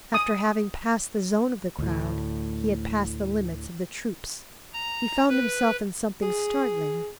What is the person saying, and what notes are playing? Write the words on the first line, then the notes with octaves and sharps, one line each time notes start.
After having passed the zone of the crowd, he had passed the limits of the troops; he found himself in something startling.
D#6
D2 A2
A#5
B4
G#4